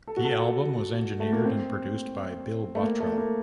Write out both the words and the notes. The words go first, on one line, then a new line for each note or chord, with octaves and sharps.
The album was engineered and produced by Bill Bottrell.
A4
F#4
A4
A3
A#3
C4
A3
A#3
A3
A3
A#3